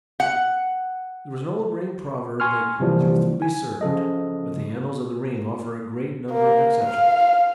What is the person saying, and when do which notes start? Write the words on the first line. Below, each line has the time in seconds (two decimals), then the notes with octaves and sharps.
There was an old ring proverb that "Youth will be served," but the annals of the ring offer a great number of exceptions.
0.20 F#5
2.40 G#5 C6 C#6 F6
2.80 C3 E3 F3 G3 A#3
3.42 G#5
3.81 C#3 F3 A4 D#5
6.31 A#3
6.84 F5